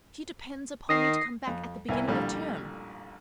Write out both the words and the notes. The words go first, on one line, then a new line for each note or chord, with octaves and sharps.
She depends upon me to come back at the beginning of term.
D#3 D#6 A#6 C7
F2
C2 A#3 B3 E4 G#5
A1 F2 A#2 D3 G3